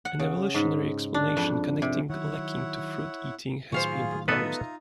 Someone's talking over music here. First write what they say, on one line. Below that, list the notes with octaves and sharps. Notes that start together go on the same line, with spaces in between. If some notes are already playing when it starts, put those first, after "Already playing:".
An evolutionary explanation connecting lekking to fruit-eating has been proposed.
F#5
C#3
G#2
D4
F2
C3
D#3 F#3 E4 C#5 F#5
A2 D#3 F#3 F4 G#4 C5 F5 C#6
B3 D#4 F4 A4 B4 D#5 E5 A#5